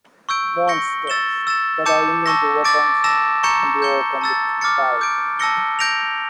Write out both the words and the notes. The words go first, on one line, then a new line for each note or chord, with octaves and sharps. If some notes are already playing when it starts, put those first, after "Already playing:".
Monsters that are immune to weapons can be overcome with spells.
C#6 E6 G6 D7
C#6 G6 A#6 C#7 G7
E6 A6 E7 G7
E6 A6 E7
A5 D6 G6 C#7 E7
A5 C#6 E6 A#6
D6 A6 D7
A5 E6 A#6 E7
A#5 C#6 G6 C#7 E7
G6 C#7 G7
A5 E6 A6
D6 F6 A6 C#7
D6 G6 D7
A5 E6 A#6 C#7 G7
G6 A#6 D7 F7